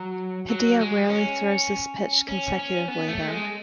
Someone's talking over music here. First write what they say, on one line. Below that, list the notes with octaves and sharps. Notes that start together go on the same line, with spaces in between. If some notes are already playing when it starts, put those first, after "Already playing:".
Padilla rarely throws this pitch consecutively, though.
Already playing: F#3
F#3
G#3
C#4
C#4
C#4
B3
A3
G#3